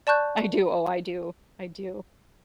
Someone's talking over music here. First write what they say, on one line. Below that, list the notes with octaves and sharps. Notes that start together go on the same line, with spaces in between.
I do. Oh, I do, I do.
D5 A5 C#6 F#6 G6